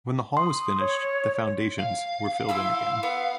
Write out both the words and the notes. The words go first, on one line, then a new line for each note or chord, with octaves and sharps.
When the hall was finished, the foundations were filled in again.
C6 D#6
C#5
F5
E4 C6 E6
B3